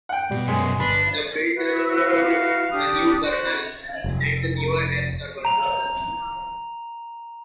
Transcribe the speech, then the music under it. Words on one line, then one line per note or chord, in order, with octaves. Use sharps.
The build does include the new kernel and the newer AppServer.
F#5 G5
B2 G3
F#2 G#3
G1 D4 B4 B5
E4 F#4 B4
F5
D4 G4 D#6
F#4 C5
F1
A#5 F7